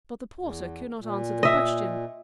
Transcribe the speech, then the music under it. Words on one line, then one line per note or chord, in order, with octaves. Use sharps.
But the porter could not answer the question.
E2
A#2
D#5 E5